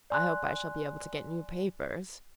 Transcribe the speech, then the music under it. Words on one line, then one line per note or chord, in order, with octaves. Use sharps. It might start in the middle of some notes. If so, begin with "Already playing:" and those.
I hope I shall be able to get new papers.'
D5 G#5 C6 F#6